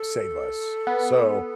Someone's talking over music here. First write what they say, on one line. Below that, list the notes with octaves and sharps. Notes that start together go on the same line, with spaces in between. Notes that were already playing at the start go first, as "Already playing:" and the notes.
save us. So,
Already playing: A4
B3